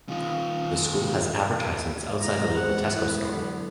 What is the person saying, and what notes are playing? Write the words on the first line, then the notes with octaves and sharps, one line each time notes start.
The school has advertisements outside the local Tesco store.
D#3 F4
E4 A#5
G#1 B4 C5 F#5
E3 G#3 B3
D3 F#3 F#5